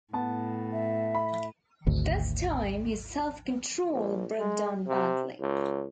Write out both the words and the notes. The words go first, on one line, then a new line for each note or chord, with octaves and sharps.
This time his self-control broke down badly.
A2 B3 A5
E5
B5
G#1 D2
A#1
G#3
C3
C#2